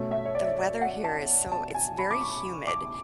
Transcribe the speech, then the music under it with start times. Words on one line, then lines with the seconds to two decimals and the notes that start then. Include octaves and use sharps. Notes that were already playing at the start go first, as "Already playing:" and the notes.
the weather here is so it's very humid,
Already playing: B2 A3 C#4
0.11 E5
0.25 C#5
0.35 D5
0.47 C#5
0.58 D5
0.81 F#5
1.04 A5
1.52 A5
1.74 G#5
1.98 B5
2.11 D6
2.21 C#6
2.67 D6